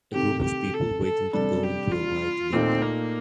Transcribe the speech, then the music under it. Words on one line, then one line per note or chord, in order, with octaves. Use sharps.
A group of people waiting to go into a white building.
C3 D#3 A3 C4 G4
G4
A4
A4
C3 G3 D4 A4
G4
F4
A#2 A3 C4 D#4
A#3